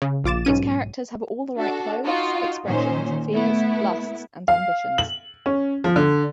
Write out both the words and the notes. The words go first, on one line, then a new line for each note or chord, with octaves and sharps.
Its characters have all the right clothes, expressions, fears, lusts and ambitions.
C#3
A#1 F4 D6 A6 E7
B1 G#2 C#4 D#7
D4 F#4 A4
D#4 F4 F#4
A#2 D#3 C#4 C5
A3 B3 E4
F5
F#7
C#4
F3
D3